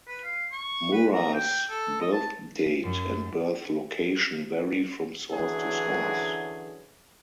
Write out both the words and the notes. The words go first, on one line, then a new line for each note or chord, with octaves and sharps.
Murrah's birth date and birth location vary from source to source.
B4
F5
C#6
B4
A#5
G5
A4
D#5
A5
F#2
D3 E3 F#3 C#4 G#4